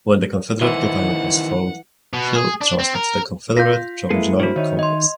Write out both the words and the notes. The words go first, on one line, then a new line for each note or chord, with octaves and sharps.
When the Confederate government was formed, Hill transferred to the Confederate Provisional Congress.
D#3 E3 E4 C5 F#5
B2
G#4
D4
C4
A#4
F4 F5 G6 A#6 B6
G#3 A#3 E4 G#4 A4 B4
G2 D4 F#4 C5 C#5
D#3 D#4 C#5 E5
D#5 C6